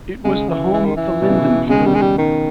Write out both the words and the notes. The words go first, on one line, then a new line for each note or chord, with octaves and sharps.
It was the home of the Lyndon family.
C#3 G#3
E3
E3
D#3
E3
B2
C#3
B2
C#3 G#3
D#3
C#3 G3
G#3
G3
D#3